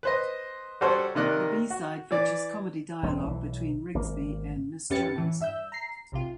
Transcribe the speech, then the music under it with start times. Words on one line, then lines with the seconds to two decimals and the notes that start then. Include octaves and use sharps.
The B-side features comedy dialogue between Rigsby and Miss Jones.
0.03 B4 C5 D#5
0.81 G3 F#4 A4 C5 C#5
1.15 C3 D#3 A#3 D5 D#5 F#6
1.70 F#4
2.11 E3 D5
3.03 E1 C4
3.23 B1 E3
3.95 G#1 A#3
4.90 F#2 C#4 G4 B4 A6 C#7
5.16 A2 E3
5.40 G2 E5 E6 G6
5.72 A#5 C7
6.12 B1 C3 F4